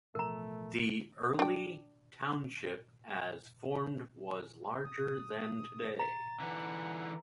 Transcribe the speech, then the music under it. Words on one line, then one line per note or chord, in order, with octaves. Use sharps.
The early township as formed was larger than today.
A1 B2 F3 A3 A#4 A#5
D4 G5
D#6
A#5 A6
D3 E3 F#5